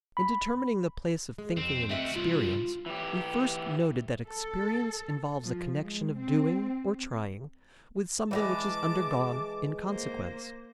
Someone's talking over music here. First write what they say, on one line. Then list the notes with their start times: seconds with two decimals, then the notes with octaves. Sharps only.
In determining the place of thinking in experience we first noted that experience involves a connection of doing or trying with something which is undergone in consequence.
0.17 B5
1.38 G#3
1.57 F2 C4
1.89 A3 C4 F#4 D#5 E5
2.16 C2 G2 F4
2.86 E3 G4
4.27 A4
5.43 F3
5.79 G#3
6.17 C4
8.31 E3 G3 G#3 A5 D6
9.83 A#3 C5